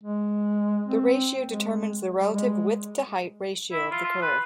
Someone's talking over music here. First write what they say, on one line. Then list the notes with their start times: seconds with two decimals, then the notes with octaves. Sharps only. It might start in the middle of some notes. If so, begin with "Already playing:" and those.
The ratio determines the relative width-to-height ratio of the curve.
0.03 G#3
0.87 C4
1.47 G#3
2.20 G3
2.33 G#3
3.72 E4
3.92 F4
4.04 F4
4.22 B4